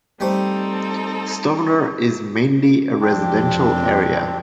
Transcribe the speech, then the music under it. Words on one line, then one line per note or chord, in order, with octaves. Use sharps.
Stovner is mainly a residential area.
G3 A3 C4 D#4 A4 C5
F2 C4 D4 G4